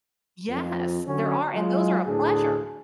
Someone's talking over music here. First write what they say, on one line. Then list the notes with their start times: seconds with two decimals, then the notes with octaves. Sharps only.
Yes, there are, and those are a pleasure.
0.48 F2
1.07 D3 F#3 C#4
1.54 F#3 G#3 F4
2.06 D2 A2 D4 G#4